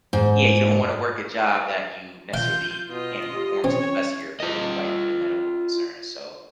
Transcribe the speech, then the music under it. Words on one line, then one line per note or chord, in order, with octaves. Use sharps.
Yeah, you don't wanna work a job that you necessarily can't perform to the best of your ability, right, due to medical concerns, so,
G#2
F4 F5 G5 G6
B2 F4 D#5
G4
C4 C#4 C#5
F4 D#5